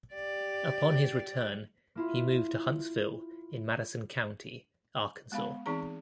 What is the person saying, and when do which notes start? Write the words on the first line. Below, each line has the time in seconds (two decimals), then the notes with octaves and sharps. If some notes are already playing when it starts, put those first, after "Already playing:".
Upon his return he moved to Huntsville in Madison County, Arkansas.
0.14 G4 D5
1.95 A#3 E4 F4
5.32 G#3 B3 F5 B5
5.66 E3 C4 D#4 G#4 A#5